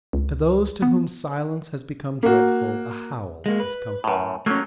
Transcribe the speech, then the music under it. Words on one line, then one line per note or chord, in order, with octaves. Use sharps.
To those to whom silence has become dreadful a howl is comforting.
C#2
B3
A#3 F#4
G#3 A#3
B4
F#2 A2
F#3 A3 A#3 C#4